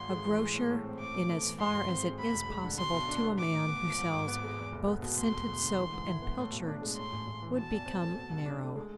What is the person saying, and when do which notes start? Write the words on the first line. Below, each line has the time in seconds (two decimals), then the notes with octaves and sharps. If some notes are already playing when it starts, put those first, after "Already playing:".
A grocer, in as far as it is possible to a man who sells both scented soap and pilchards, would become narrow.
Already playing: G#1 G#2 C6
0.09 G#3
0.25 E3
0.39 G#3
0.54 A2
0.70 A2
0.84 C4
0.99 A2 D6
1.14 B1
1.29 A3
1.43 E3
1.58 G#2 C6
1.73 G#1
1.89 C4
2.03 G#3
2.18 D2 B5
2.34 E1
2.49 G#3
2.63 D3
2.78 B2 C6
2.93 B1
3.09 D4
3.22 B3
3.38 A2 D6
3.53 A1
3.68 B3
3.83 F3
3.98 G#2
4.13 G#1
4.28 B3
4.43 G#3
4.58 E2
4.72 F1
4.87 B3
5.02 B2
5.17 D2 C6
5.32 E1
5.48 E1
5.62 D3
5.78 E3
5.93 G#2
6.06 E4
6.22 B3
6.37 A2
6.51 B1
6.67 D4
6.82 G#3
6.96 A2 C6
7.12 A1
7.27 A1
7.42 E3
7.56 B2 A5
7.71 E2
7.86 C4
8.01 A3
8.17 B2
8.31 C2
8.46 D4
8.62 A3
8.76 G#3